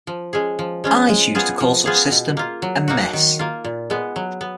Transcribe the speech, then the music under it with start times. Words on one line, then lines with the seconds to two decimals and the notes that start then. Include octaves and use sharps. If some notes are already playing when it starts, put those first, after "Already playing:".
I choose to call such a system a mess.
0.07 F3
0.33 G#3 C#4 G#4
0.59 F3
0.84 G#3 C#4 F4
1.09 G#3
1.35 B3 F4 G#4
1.61 F3
1.86 B3 F4 G#4
2.12 B2
2.37 A#3 F4
2.62 F#3
2.88 A#3 D#4 F#4
3.13 D#3
3.39 A#3 F4
3.64 A#2
3.90 G#3 B3
4.16 F#3
4.41 B3